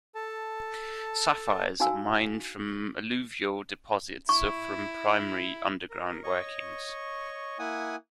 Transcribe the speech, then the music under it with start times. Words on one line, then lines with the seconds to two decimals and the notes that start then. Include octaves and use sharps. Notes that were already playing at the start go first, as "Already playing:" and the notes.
Sapphires are mined from alluvial deposits or from primary underground workings.
0.15 A4 A5
1.80 D4 D#4 F#4 F5 G#5 E6
4.29 E4 C#6
5.90 A#4
6.23 C#5 D#5 C#6
7.59 A#3 E4 F#5 G#5 D#6